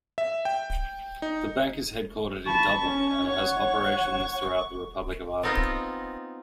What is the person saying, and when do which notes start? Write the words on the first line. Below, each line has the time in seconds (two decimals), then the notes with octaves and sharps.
The bank is headquartered in Dublin, and has operations throughout the Republic of Ireland.
0.18 E5
0.45 G5
1.22 D#4
2.46 A5 B5 C#6
2.81 C#4
3.28 C#5 F#5 C#6
5.43 B3 C4 D#4 F4 D#5